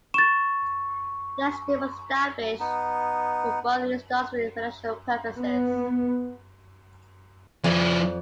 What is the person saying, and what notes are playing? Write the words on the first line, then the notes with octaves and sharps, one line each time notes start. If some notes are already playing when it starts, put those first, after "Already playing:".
The Estate was established for both Industrial and Residential purposes.
C#6 A6 E7
B3 D#4
B3
F2 F3 E4 D5 G#5